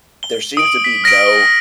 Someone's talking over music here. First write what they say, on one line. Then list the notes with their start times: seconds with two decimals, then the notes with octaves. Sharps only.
there seems to be no
0.23 G7
0.57 D#6 D7 F#7
0.84 B6
1.04 F6 A#6 B6 D7
1.26 G7